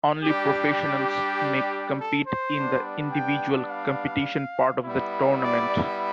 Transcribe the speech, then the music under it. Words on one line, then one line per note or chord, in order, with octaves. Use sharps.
Only professionals may compete in the individual competition part of the tournament.
G3 D4 G4
A4
C5
G3 B3 D4
G5
F5
G3 B3 E4
D5